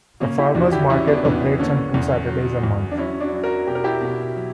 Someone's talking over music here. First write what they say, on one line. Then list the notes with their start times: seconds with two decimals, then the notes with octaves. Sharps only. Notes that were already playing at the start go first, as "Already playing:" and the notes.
A farmers' market operates on two Saturdays a month.
0.20 C#3 A#3 C#4
0.38 E4 G4
0.55 E2 D4 F#4
0.72 E4 G4
0.89 E3 C#4 E4
1.07 B3 D4
1.25 E2 B3 D4
1.41 B3
1.59 D3 A#3 C#4
1.94 E2
2.28 F#3
2.63 E2
2.91 D4
2.98 F#3 C#4 E4
3.20 D4 F#4
3.32 F#3
3.44 F#4 A#4
3.67 B2 G4
3.75 A#4
3.84 E4 G4
4.01 B2
4.36 F#3